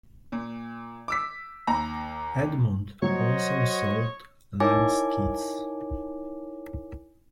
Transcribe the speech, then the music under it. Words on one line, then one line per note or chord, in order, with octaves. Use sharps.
Edmund also sold lens kits.
A#2
D6 E6 B6
D#2 A#5
F#3 F#4 C5 C#5 D#5
D#4 E4 A#4 C#5 G#5 D6